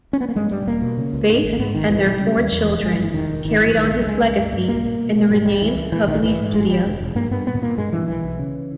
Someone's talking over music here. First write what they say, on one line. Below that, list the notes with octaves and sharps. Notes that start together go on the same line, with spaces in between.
Faith and their four children carried on his legacy in the renamed Hubley Studios.
C#4
B3
A#3
G2 G#3
G2 G3
E1 A#3
B2
C#3
C#2
G#2
G#1
A#3
G#2 B3
G#1 D#3
B1 E3
B2 G3
C#3
D#2
E2
E1
G1 G#3
E3
G1
E3
E1 D#3
E1
G#1 D#3
G2 E3
A#1 D#3
A#1
G3
C#2 G#3
C#2
G2
G2
A#1 A#3
A#2
B2
B2
G#3
G#2 G3
G#3
A#1 G3
C#2 E3
C#2
A#2 E3
A#1 D#3
G#2 E3
G#2
G1 G#3
G2 G3
E1
E1
G2 A#3
G2 B3
A#2 B3
A#2 A#3
G2 G#3
G2 E3
B1 E3
B1
C#3